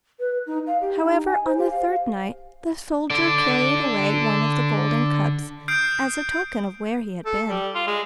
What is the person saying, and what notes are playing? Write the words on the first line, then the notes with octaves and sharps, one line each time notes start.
However, on the third night the soldier carried away one of the golden cups as a token of where he had been.
B4
D#4
F5
G4
D#4
G#5
C5
G4
F5
D3 D5
D#6 F6 G6 C7 D7
A4
G3
F4
G#3